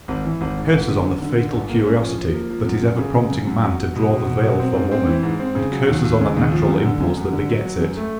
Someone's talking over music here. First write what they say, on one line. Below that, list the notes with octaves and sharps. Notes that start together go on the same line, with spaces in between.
Curses on the fatal curiosity that is ever prompting man to draw the veil from woman, and curses on the natural impulse that begets it!
G#1
E3
G#1
G#2
G1
D3
F#2
D3
D3
G1
A#3
C#4
F3
F3
A#3
F3
F#2
F#2
C#3
C#3
F#2
F#2
F#3
F#3
B2
B2
B2
F#3
C4
G#2
C4
E3
G#2
C4
C#3
F#3
D#2
D#2
C#3
D#2
F3
F#2
D3
F#2
F#2
D3
F#3
F#3
F#2
A3